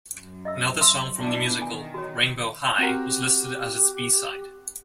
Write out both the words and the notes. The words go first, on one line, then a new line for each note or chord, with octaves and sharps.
Another song from the musical, "Rainbow High", was listed as its B-side.
F#2
D#5 E5 E6
E5 C6 E6
B2 D4 E4
D#3 G#5
F#4 C#5
C4 F#4 G4 A#4